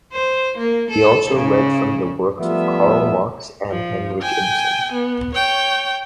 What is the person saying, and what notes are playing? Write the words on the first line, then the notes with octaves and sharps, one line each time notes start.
He also read from the works of Karl Marx and Henrik Ibsen.
C5
A#3
A4
C#3
F3 G3 A3 B3 F4 E5
F3
G5 G#5
B3
C#5 G5